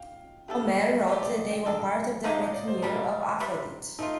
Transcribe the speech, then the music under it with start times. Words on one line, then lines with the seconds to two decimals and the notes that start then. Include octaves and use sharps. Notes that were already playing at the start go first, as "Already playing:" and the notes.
Homer wrote that they were part of the retinue of Aphrodite.
Already playing: F5 G5
0.48 A3 D4 G4 A4
0.77 A#4
1.07 C3 F3 C4 G4
1.22 D5
1.36 D#5
1.51 G5
1.65 A#3 D4 A4 G5
2.24 D3 A3 D#4 G4 F5
2.38 D#5
2.53 D5
2.68 C5
2.82 D3 G3 A#3 D4 A#4
3.40 C3 G3 C4
3.99 A3 D4 D#4 F4